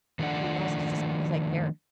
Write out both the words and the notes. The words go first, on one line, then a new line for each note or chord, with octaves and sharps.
he knows it's just because I care.
D#3 F3 A3 D4 D5 F#5